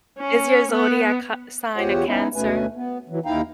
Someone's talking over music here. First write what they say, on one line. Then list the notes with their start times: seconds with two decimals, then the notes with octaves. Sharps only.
Is your zodiac h sign a Cancer?
0.18 C#4
0.72 B3
1.76 E2 F4 G4 C5 C#5 F#5
2.05 B3 C#4 D#4 E4
2.35 D2 B2 A3 C#4 B4 G#5
2.76 B3
3.09 E3 F#3
3.25 D#2 D#4 E4 F5 G5 A#5